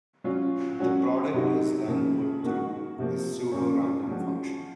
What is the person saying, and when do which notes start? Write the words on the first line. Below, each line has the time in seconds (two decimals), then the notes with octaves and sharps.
The product is then put through a pseudo random function.
0.24 F#3 C#4 F4
0.79 F#3 C#4 F#4
1.33 C3 F#3 C4 D#4 F#4
1.88 C#3 F3 A#3
2.43 D#3 A#3 D#4 F#4
2.98 C3 F3 A#3
3.52 C#3 F3 A#3 C#4
4.07 F3 G#3 C#4 F#4